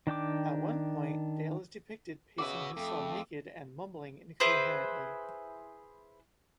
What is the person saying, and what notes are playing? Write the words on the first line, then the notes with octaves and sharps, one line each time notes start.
At one point Dale is depicted pacing his cell naked and mumbling incoherently.
D#3 D4 G5 D6
C#3 F#4 B4 D#5 E5 D6
F2 A3
E4 G#4 B4 C5